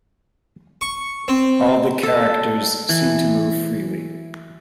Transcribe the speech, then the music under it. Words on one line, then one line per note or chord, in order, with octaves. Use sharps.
All the characters seem to move freely.
C#6
C4
A4
E3